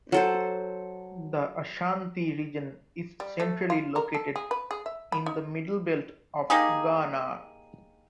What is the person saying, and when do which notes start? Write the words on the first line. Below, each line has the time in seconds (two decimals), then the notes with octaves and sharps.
The Ashanti Region is centrally located in the middle belt of Ghana.
0.12 F#3 A4 C5
3.20 G3
3.40 A3
3.70 F4
3.96 A#4
4.14 A4
4.36 G#4
4.51 B4
4.71 G#4
4.86 E5
5.12 B5
5.26 D#4
6.50 A#3 D#4 G4 G#4